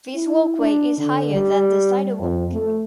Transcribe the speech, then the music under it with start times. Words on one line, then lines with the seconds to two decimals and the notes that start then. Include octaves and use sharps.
This walkway is higher than the sidewalk.
0.15 E4
0.59 D4
0.98 D3
1.33 G3
2.21 F2
2.53 A3